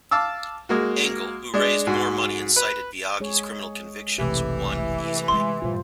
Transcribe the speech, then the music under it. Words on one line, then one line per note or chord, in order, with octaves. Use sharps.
Engel, who raised more money and cited Biaggi's criminal convictions, won easily.
F5 A5 D6 E6
G#3 A#3 F#4
G#3 D4
G#2 F#4 G#4
B4
G#3 G#4 C#5
F1 B1 C3 E3 A3 G4
D3 G#3 C6
G2 A#2 F4 C5